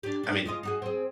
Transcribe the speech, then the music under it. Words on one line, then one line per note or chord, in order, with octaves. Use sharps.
I mean,
D4 G4
D4
G#3 F4 D#5
D#4 F#4 G#4
C4 G#4